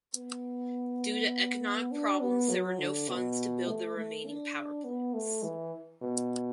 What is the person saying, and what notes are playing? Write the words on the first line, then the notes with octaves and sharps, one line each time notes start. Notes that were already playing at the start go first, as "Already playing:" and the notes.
Due to economic problems there were no funds to build the remaining power plants.
B3
D4
B3
F#3
D3
B2
A3
A3
D4
B3
A3
E3
B2